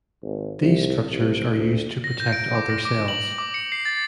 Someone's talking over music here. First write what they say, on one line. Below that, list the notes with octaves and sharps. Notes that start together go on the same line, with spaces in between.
These structures are used to protect other cells.
G#1
C2
C2
D2
A#6
G6
D7
D6
A#6
D6
F#7
D6
C#7
C7
A6